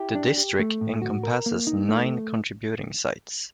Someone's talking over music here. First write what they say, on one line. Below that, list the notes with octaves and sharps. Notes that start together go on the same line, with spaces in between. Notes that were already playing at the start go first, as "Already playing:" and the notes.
The district encompasses nine contributing sites.
Already playing: E4 G4
D4
G4
A3
A2
F#4
A#4
A#3
D#4
A3